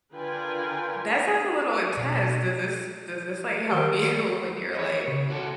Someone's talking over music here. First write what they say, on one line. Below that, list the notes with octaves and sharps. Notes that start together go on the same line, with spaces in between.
That sounds a little intense, does this does this, like, help you when you're, like,
D3 F4 A#4 B4 G5 G#5
B2
D#3 G3
C#5 D#5
C#3
F#4 A4